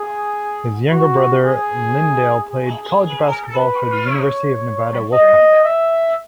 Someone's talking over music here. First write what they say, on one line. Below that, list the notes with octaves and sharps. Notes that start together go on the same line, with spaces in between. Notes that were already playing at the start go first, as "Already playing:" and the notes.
His younger brother Lyndale played college basketball for the University of Nevada Wolf Pack.
Already playing: G#4
F#4
G#4
G#4
B4
C#5
D#5
E5